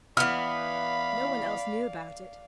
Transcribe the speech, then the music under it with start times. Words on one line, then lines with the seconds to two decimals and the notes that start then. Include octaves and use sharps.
No one else knew about it.
0.17 E3 B3 D5 F5 B5 F6